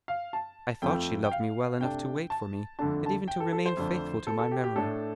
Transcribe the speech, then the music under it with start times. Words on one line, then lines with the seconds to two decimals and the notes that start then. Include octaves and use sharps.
I thought she loved me well enough to wait for me, and even to remain faithful to my memory.
0.08 F5
0.33 A5
0.82 F2 F3 A3 C4 G5
1.24 G5
1.31 F5
1.81 C3 A3 D4 G5
2.30 A5
2.79 F2 D3 A3 D4 A5
3.06 A5
3.28 G5
3.40 A4
3.53 A4
3.66 C5
3.77 F2 D3 A3 D4
4.27 A4
4.39 A4
4.51 G4
4.64 G4
4.76 A2 A3 D4 A4